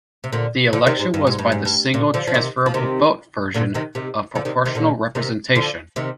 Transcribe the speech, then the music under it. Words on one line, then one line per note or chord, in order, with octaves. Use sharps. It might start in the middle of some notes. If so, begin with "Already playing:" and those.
The election was by the single transferable vote version of proportional representation.
C3
A#2 D3
D3 F3
C3 D#3
G#2
G2
G#2
G2
G#2
G2
A#2
D3 F3
F3
C3 D#3
F3
C3 D#3
A#2 D3
C3 D#3
C3 D#3
D3 F3
C3 D#3
C3 D#3
A#2 D3
C3 D#3
D3 F3
C3 D#3